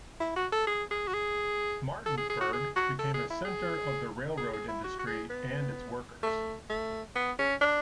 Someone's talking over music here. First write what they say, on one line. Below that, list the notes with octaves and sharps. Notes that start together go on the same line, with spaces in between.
Martinsburg became a center of the railroad industry and its workers.
E4
F#4
A4
G#4
G#4
F#4
G#4
A4
G#4
G#4
F#4
G#4
F#4
A4
G#4
E4
G#4
G#4
G#4
E4
F#4
F#4
G#4
B3
A3
A3
B3
C#4
D4